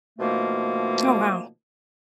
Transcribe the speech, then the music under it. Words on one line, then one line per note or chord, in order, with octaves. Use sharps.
Oh, wow.
B2 D#3 F3 A3 A#3